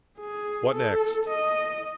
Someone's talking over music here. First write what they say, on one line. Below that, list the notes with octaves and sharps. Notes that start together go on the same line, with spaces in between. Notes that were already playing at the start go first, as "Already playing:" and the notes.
"What next?"
G#4
A4
D#5